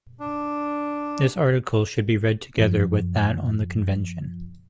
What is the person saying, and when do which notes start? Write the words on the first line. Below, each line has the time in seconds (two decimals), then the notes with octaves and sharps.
This article should be read together with that on the Convention.
0.20 D4
2.58 F#2 F3